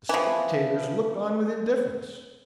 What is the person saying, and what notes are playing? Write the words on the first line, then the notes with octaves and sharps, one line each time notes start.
The spectators looked on with indifference.
E3 F3